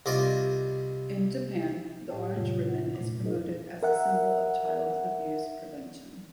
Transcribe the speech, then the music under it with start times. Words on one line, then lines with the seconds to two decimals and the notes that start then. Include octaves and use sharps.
In Japan, the orange ribbon is promoted as a symbol of Child Abuse Prevention.
0.06 C2 F4 D5 D#5
2.10 A2 G4 C#5 D#5 G5 A5
2.36 F2 A2 C3 F#3 F4 C#5
2.64 F4 F#5
2.95 A#2 A3
3.23 D#4 G#4 A#4 C5 D#5
3.83 A#4 E5 F#5